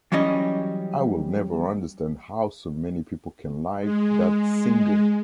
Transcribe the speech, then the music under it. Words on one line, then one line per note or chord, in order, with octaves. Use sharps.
I will never understand how so many people can like that singer!
E3 F#3 G3 C#4 D#5
G#3